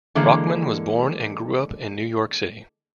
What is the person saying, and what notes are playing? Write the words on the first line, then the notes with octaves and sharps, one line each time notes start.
Rockman was born and grew up in New York City.
D3 E3 G#3 A#3